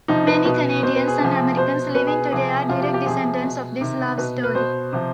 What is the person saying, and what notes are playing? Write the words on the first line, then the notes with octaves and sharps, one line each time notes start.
Many Canadians and Americans living today are direct descendants of this love story.
C3 F3 D#4
B4
B2 B4
B2 C5
B4
G#4
C3 F3
B2 C5
B2 B4
G#4
C3 F3 G#4
C3 F3 F4
G4
G4
C3 F3 G#4
B2
C3 D#3
B2 B4
B4
B2 C5
C3 F3